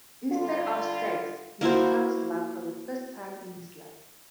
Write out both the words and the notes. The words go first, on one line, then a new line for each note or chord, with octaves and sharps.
Instead of sex, he discovers love for the first time in his life.
D3 G3 F4
A#3 E4 F#4 C5